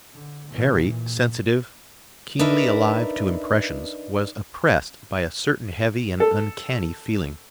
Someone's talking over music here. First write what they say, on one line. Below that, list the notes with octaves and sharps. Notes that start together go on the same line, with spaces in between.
Harry, sensitive, keenly alive to impressions, was oppressed by a certain heavy and uncanny feeling.
D3
B2 E3
A#2
D4 D#4 A#4 B4 E5
A4